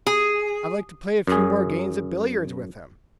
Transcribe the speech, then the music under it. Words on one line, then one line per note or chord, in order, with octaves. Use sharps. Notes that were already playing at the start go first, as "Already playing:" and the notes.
I'd like to play a few more games at billiards with him.
G#4
F#2 G#4